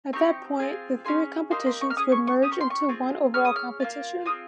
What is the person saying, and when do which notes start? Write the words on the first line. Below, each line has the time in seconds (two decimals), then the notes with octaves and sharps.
At that point, the three competitions would merge into one overall competition.
0.13 C4 D#4 G4 C#6
0.60 C4 F4 G#4
1.05 C#4 F4 G#4 C6
1.51 A#3 D#4 G4 C6
1.66 C6
1.81 C#6
1.90 F6
1.97 C#4 G#4 D#6
2.12 C#6
2.27 C#6
2.42 C#4 G4 D#6
2.52 C#6
2.61 C6
2.70 C#6
2.88 C4 F4 G#4
3.34 C#4 G#4 F6
3.45 D#6
3.56 F6
3.80 A#3 C#4 F4
4.25 C4 F4 G#4 D#6